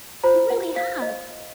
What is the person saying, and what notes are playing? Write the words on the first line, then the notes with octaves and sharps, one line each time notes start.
We really have.
F4 C5 A#5
F#5
F5
D#5